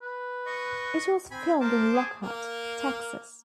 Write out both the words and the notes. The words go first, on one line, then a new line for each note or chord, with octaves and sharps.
It was filmed in Lockhart, Texas.
B4
D#5 C#6
C4 G#5 B5
A#4 C5 A5 D6
G#4
A#3